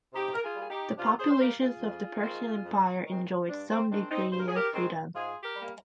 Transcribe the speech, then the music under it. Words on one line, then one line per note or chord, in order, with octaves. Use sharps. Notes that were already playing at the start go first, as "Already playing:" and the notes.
The populations of the Persian Empire enjoyed some degree of freedom.
C3 D#4 G4
A#4
F4 G#4
G3 A#3 G#4
D#4 G4
C3 D4 F4
G#4 C5
C5
G3 A#3 G4 A#4
F4 G#4
F2
D#3 G#3 C4
F2
D#3 G#3 C4
G2 D4
C4
D#3 G#3 C4 D4
C4 D#4
G2 C5
A#4
G#4
G4 A#4
D#3 G#3 C4
G#2 F4 G#4
G4 A#4
G3 A#3